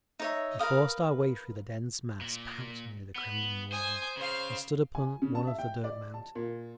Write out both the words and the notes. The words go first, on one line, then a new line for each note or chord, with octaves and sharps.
We forced our way through the dense mass packed near the Kremlin wall, and stood upon one of the dirt-mountains.
D#4 C#5 E5
A#4 B4 F5 D#6
A#2
B3
C5 G#5 D#6
C#3 C5 F5
G#5
C#3
A5
E5
G5
D5
A5
A#2